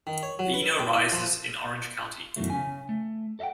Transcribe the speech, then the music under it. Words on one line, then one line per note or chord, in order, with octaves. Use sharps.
The Eno rises in Orange County.
D#3
C#5
F#3
B4
G5
E4
F3
F#2 B2 D#3 E3 F#3 A3
C#3 C#4 G#5
A3
A4 D#5 E5 F#5 G5